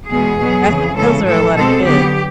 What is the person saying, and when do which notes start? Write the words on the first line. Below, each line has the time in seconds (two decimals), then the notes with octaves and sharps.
That's those are a lotta kids.
0.10 E2 B2 G#3 B3 G#4
0.39 B2 F#3 B3
0.68 F2 C#3 E3
0.97 C#3 E3 G#3 A4
1.26 A2 F3 G#3 A4
1.55 B2 G#3 C4 A4
1.84 D3 F#3 B3 G4